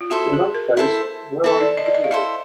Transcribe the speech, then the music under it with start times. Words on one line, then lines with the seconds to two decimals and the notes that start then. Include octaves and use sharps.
In that case, where are you, really?
0.01 F4
0.10 E4 F#4 A4 C5
0.33 G#4
0.54 A#4
0.77 E4 A4 C5
1.44 E4 A4 B4 C5
1.60 D5
1.77 D#5
1.86 D5
1.95 D#5
2.04 F5
2.11 E4 A4 C5 E5